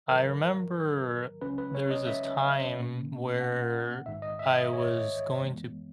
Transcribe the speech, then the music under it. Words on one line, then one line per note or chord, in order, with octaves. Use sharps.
I remember there was this time where I was going to
G#2 D#3 F#3 A#4
C#2 C#3 F#3 C#4 B4
B4
C#5
D#5
E5
A#2 A#3 C#4
F#5
A#1 G#2 D#3 E5
D#5
E5
D#5
C#5
F#2 E3 G#3 B3